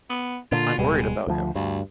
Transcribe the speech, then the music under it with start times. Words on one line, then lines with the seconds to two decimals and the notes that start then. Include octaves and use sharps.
I’m worried about him.
0.10 B3
0.52 A#2 D3 F4
0.78 D1 B2 G3 G#3
1.27 D2 F3
1.55 D2 G2